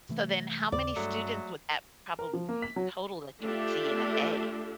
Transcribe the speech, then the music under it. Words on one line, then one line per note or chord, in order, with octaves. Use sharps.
So, then how many students would that probably total that you would see in a day?
C3 E3 A3
D#2 C#3 D5
G2 F#3 G#3 A3
A#4
F3
A#3
B6
F#3
A3 D4 F4 G4 A4 E5